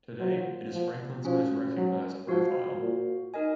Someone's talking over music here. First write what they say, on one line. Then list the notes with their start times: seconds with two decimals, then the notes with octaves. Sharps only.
Today, it is Franklin's most recognized profile.
0.20 F#3 A#3 F4 C5 F#5
0.73 F3
1.25 F3 C#4 F#4 C5 F5
1.77 F#3
2.29 F3 F#4 C5 F5
2.81 A#2
3.34 D#4 A#4 D#5 G#5